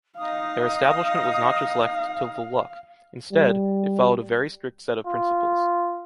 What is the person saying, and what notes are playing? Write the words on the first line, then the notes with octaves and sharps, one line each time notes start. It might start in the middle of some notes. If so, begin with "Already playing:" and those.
Their establishment was not just left to the luck, instead, it followed a very strict set of principles.
D#4 D#5 F5 D#6
G3
F4